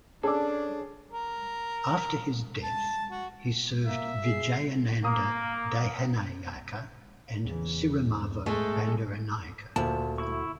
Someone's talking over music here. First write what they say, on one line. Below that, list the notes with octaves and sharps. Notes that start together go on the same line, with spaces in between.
After his death, he served Vijayananda Dahanayake and Sirimavo Bandaranaike.
C#4 D4 G#4 A4 D5
A#4
A5
F#4
A#3 E5
G#4 C7
A#3 A#5 D#6
E2 C#3 E3
G#2
A2 G#3 A3 A4
D2 A#2 A5
E4 C#6